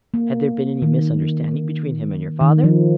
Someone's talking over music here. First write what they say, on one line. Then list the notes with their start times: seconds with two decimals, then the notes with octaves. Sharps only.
"Had there been any misunderstanding between him and your father?"
0.14 A#3
0.82 D#3
2.41 D#3
2.64 F3